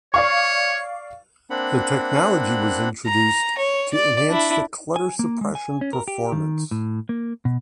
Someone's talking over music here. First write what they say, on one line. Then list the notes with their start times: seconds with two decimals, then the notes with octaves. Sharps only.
The technology was introduced to enhance the clutter suppression performance.
0.14 C#5 D5 F5 C#6
1.50 A#3 C4 D4 F#5 B5
3.07 A#5
3.57 C#5
3.93 D5
4.29 D4 E4
4.96 G#5
5.19 A#3
5.41 G#3
5.55 G#5
5.81 C#4
5.93 A#4
6.08 G4
6.32 D#3
6.71 A2
7.09 A#3
7.45 B2